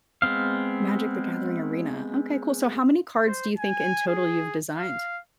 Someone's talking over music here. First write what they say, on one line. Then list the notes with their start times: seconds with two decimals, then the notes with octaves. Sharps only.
Magic the Gathering Arena. Okay, cool. So, how many cards do you think in total you've designed?
0.22 G#3 B3 C4 F5
3.26 C5
3.58 G#5
4.07 G#4
4.75 F5